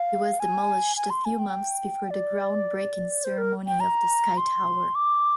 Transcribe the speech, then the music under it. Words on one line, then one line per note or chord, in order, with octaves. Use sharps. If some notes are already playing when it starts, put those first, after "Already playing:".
It was demolished a few months before the groundbreaking ceremony of the sky tower.
Already playing: F5
G#5
G#5
C6
G#5
G5
D5
C5
A#4
G5
A#5
C6
D6